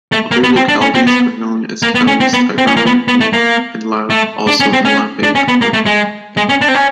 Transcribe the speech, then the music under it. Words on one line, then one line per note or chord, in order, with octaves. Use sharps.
Other localities are known in counties Tyrone, Meath and Louth, also in Lambay Island.
A3
A#3
B3
C4
D4
C#4
C4
B3
A#3
B3
C#4
C4
B3
C4
C#4
A#3
B3
B3
A3
A#3
A3
D4
C#4
C4
C#4
D4
C#4
B3
A#3
A3
G#3
G#3
C#4
D4
C4
C#4